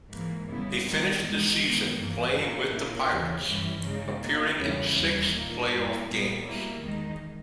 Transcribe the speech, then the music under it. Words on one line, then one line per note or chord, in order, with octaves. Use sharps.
He finished the season playing with the Pirates, appearing in six playoff games.
G#2 E3 A#3
D#2 C#3 G3 B3 E4
D#2 D#3 G3 B3 D#4
E2 B2 G#3 B3 D#4
D#3 G#3 B3
G2 E3 A#3
A#2 A#3 D#4
A#2 A#3 C#4 E4
D#2 C#3 E3
G2 E3 G3 C#4 E4
C#3 G#3 D#4
B2 A#3 D#4
E2 C#3 G3 C#4 E4
D#2 C#3 E3 G3
A#2 A#3 D#4
G2 G3 A#3 E4
A#2 G3 B3
B2 G3 A#3 E4
E2 D#3 G#3 D#4